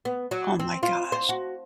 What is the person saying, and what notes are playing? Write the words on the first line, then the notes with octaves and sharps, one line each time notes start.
Oh my gosh.
B3
F#3
C4
F4
C5
F#4